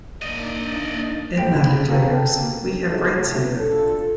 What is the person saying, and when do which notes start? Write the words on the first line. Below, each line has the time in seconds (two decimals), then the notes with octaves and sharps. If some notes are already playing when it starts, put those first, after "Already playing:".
Edna declares, We have rights here.
0.22 A#3 D4 D#4 D5 D#5
1.37 A1 D#2 A2 C5 G5 D7
1.52 F#1 D4 C5 D5 B5
1.65 A#3
1.90 F#4 A4 B4 F5 G5 A#5
2.09 A4 G5 A5
2.38 A#3
2.85 D2 C3 F#3 D#4 G#4 A4
3.13 A2 C3 F#3
3.59 D4 F4 A4